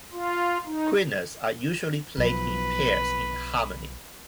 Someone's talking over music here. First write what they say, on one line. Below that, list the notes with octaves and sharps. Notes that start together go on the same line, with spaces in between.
Quenas are usually played in pairs, in harmony.
F4
D#4
B1 F3 B4